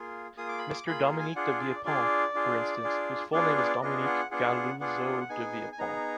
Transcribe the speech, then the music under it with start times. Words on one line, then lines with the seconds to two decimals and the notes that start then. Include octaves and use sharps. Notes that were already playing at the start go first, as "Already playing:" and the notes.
Mr Dominique de Villepin, for instance, whose full name is Dominique Galouzeau de Villepin.
Already playing: A#3 F4 G#4
0.37 A#3 F4 G#4 D#6
0.49 D6
0.58 B5
0.69 D6
0.87 A#3 F4 G#4 B5
1.03 A#5
1.19 G#5
1.36 D4 F4 G#4 F#5
1.60 D5
1.85 D4 F4 G#4 D5
2.34 D4 F4 G#4
2.83 D4 F4 G#4
3.32 B3 D4 F4 G#4 D5
3.57 D5
3.82 B3 D4 F4 G#4 D#5
4.06 F#5
4.31 B3 D4 F4 G#4 F#5
4.80 B3 D4 F4 G#4 F#5
5.20 F#5
5.29 B3 D#4 G#4 G#5
5.72 G#5
5.79 B3 D#4 G#4 A#5